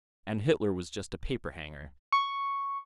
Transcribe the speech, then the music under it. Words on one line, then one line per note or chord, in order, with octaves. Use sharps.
"And Hitler was just a paper-hanger."
C#6